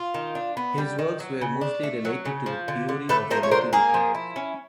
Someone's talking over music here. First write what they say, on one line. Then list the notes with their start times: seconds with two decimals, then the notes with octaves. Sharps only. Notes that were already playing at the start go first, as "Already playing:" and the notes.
His works were mostly related to the theory of relativity.
Already playing: F4
0.14 D#3
0.35 D4
0.57 B3
0.78 G3
0.99 D#3
1.20 F#3
1.41 C#3
1.61 D4
1.83 A3
2.05 F#3
2.25 C#3
2.46 F3
2.68 D3
2.89 D3
3.09 A3 A4 B4
3.30 F3 A#4 C5
3.43 C#5
3.51 D3 A#4 C5
3.73 A#3 G#4 A#4
3.94 F3
4.15 E4
4.36 C#4